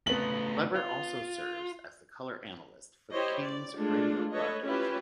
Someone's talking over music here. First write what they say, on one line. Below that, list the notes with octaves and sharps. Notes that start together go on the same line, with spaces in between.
Lever also serves as the color analyst for the Kings radio broadcasts.
C#3 A3 B3 F#7
F4
E4 G4 C5 C#5 D#5
D5
G#3 A3 D4 F4
A4 B4 C#5 D#5
C#4 E4 F4 G4 B4